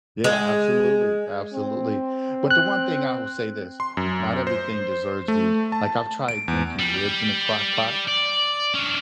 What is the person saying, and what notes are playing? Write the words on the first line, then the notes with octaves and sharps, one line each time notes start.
Yeah, absolutely, absolutely. But the one thing I will say this, not everything deserves to be like, I've tried making ribs in a Crock Pot.
G#3
C4
F#6
C6
F#2
C5
A3
A5
D7
E2
G3
D5
C#4 D4